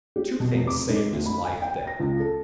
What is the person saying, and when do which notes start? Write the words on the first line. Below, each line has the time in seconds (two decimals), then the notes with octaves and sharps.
Two things saved his life then.
0.16 G4
0.40 B2
0.54 F1
0.67 D6
0.89 G#2
1.13 D2
1.26 B5
1.45 G#5
1.62 G5
1.87 A#6
2.00 C#2
2.20 A4